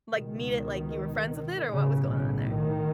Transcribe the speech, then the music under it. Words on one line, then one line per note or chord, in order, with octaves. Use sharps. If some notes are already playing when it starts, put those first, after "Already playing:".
like, meet it like you were friends with it, or what was going on there?
C#2 B2 D#3
B1 A2 C#3
C#3
D#3